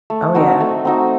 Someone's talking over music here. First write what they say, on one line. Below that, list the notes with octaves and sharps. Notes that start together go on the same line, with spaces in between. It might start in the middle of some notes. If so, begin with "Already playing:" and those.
Oh, yeah.
A3
C4 D#4 F#4
A3
C4 D#4 F#4